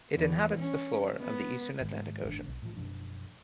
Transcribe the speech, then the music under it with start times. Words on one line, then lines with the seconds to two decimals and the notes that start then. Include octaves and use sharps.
It inhabits the floor of the eastern Atlantic Ocean.
0.15 E2
0.57 C#4
1.20 B3
1.81 G#2 D#3 G#3
2.25 F#1 G#2 D#3 D4
2.48 B1
2.62 A2 F3
2.77 F#2 B2 F3 D4